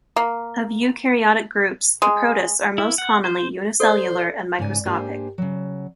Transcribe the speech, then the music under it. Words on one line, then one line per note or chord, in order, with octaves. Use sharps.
Of eukaryotic groups, the protists are most commonly unicellular and microscopic.
A#3
G#3
E4
F#5
C5
A4 C5 D5
G#2 C#3 D#4 D5 G#5
G#2 A#3 D4 G4 C5 G#5
C#3 F#3